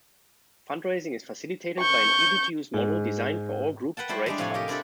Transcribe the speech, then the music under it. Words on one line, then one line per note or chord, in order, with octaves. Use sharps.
Fundraising is facilitated by an easy-to-use model designed for all groups to raise funds.
C#6 G6
G#2
B4 F#5 G5 A5
G3 E4 C5 A5
G3 G#3 D4
A2 C3 F3 E4 C#5 G#5
C3 G4 A#4 D#5
C4 D4 E4 G4 A4